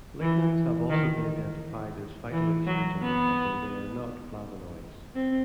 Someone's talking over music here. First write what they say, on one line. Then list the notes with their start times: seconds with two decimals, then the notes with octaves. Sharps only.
Lignans have also been identified as phytoestrogens, although they are not flavonoids.
0.20 E3
0.90 D#3
2.32 E3
2.67 F#3
3.02 B3
5.14 C4